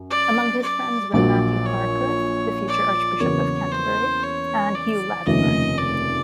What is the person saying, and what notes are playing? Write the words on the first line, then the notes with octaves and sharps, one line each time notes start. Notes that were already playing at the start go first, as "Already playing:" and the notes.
Among his friends were Matthew Parker, the future Archbishop of Canterbury, and Hugh Latimer.
Already playing: F#2
D5
D5
A#1 A#2 F#3 D5
C#5
D5
E2 C#3 F#3 A#3 C#5
C5
C#5
D5
F1 D#2 C#3 F3 A3 D#5
D5